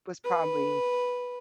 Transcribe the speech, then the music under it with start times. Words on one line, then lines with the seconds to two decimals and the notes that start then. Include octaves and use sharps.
was probably
0.24 B4